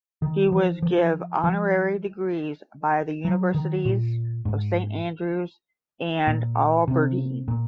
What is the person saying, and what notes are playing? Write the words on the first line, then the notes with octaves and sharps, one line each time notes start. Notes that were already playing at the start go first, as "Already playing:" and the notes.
He was give honorary degrees by the Universities of St Andrews and Aberdeen.
D#3
F3
F3
F3
F#3
D#3
A#2
G#2
A#2
C3
A#2